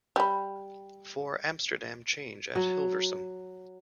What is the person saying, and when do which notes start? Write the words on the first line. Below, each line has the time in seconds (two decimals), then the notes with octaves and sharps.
For Amsterdam change at Hilversum.
0.16 G3 B5
2.56 F#3